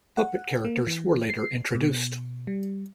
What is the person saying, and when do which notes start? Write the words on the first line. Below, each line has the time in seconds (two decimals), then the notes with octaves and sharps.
Puppet characters were later introduced.
0.17 F#5
0.65 A#3
0.87 E3
1.30 C7
1.75 B2
2.47 G3